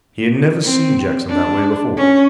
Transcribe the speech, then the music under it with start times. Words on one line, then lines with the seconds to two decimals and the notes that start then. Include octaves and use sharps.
He had never seen Jackson that way before.
0.64 C4
1.30 D4
1.97 C#4